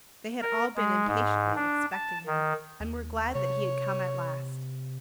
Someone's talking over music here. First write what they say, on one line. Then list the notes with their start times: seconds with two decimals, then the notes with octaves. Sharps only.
They had all been impatiently expecting him and were glad that he had come at last.
0.42 A#4
0.76 G#3
1.07 G#2
1.56 D4
1.92 A5
2.26 D#3
2.80 D#2
3.35 C3 C#5